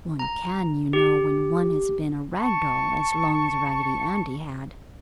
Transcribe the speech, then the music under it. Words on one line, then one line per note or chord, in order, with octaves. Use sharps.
One can, you know, when one has been a rag doll as long as Raggedy Andy had.
A#5
G4
A5 C#6